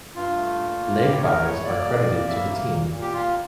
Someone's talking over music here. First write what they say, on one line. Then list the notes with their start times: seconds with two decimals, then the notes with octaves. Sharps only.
Leg byes are credited to the team.
0.15 G2 F4
0.37 A3
0.58 A#2
0.79 A#3
1.00 A2 G4
1.17 C#5
1.22 A3 A#4
1.43 A2 C#5
1.64 A#3 D5
1.86 F2
2.07 A#3
2.28 A2 E5
2.50 A#3
2.71 A#2
2.91 A#2
3.02 G4
3.13 A#2 F4